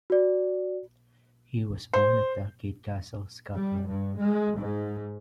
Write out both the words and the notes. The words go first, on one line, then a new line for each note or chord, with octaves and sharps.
He was born at Dalkeith Castle, Scotland.
F#4 D5
C5
G3
G2
G#3
G#2